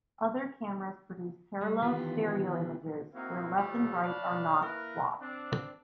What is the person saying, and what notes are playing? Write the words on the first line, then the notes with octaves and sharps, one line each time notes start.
Other cameras produce parallel stereoimages, where left and right are not swapped.
G3
D#3 E3 B3 F4 G4
A#3 C4 D#4 E4 F#4 F5
A2 F3 G3 A3
C#5 D5 F5 F#5 A5 B5
A#3 E4 A#4 B4
C4 D4